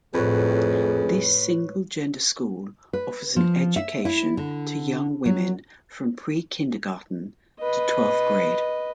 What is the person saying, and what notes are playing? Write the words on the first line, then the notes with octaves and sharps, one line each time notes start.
This single-gender school offers an education to young women from pre-kindergarten to twelfth grade.
F2 A2 G#4 B4 C#5
B4
F3
E5
E4
D3
F#3
B4 D#5